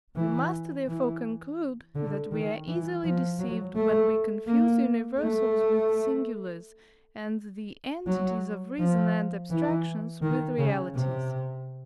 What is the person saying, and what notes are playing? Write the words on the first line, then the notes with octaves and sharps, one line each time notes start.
We must therefore conclude, that we are easily deceived, when we confuse universals with singulars, and the entities of reason and abstractions with realities.
E3
E3
D3
D#3
E3
F3
F#3
A3
A#3
A3
F#3
F3
E3
D#3
C#3
C3